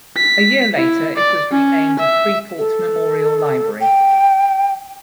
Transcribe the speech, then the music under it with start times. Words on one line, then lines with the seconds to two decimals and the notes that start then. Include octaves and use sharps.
A year later it was renamed Freeport Memorial Library.
0.17 B6
0.77 E4
1.16 D5
1.51 C#4
2.00 E5
2.58 A4
3.80 G5